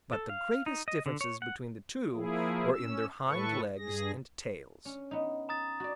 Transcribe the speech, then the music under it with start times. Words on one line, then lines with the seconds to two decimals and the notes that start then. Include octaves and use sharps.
But the greatest differences between the two were in their hind legs and tails.
0.13 A4
0.29 F5
0.66 D#4
0.88 D#5
1.06 D3
1.21 C#5
1.42 F#5
2.14 F3 A#3 E4 G#4
2.72 C#4 E6
3.27 A2 A4 B4 C#6
3.78 G2 G#4 A#6
4.85 C#4
5.11 B3 D#4
5.49 A#5 D#6 A6
5.80 F#4 D5